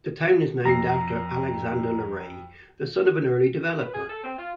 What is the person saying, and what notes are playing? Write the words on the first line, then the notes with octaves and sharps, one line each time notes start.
The town is named after Alexander LeRay, the son of an early developer.
F2 A#5 C7
B4
G#4
A4
C4
F4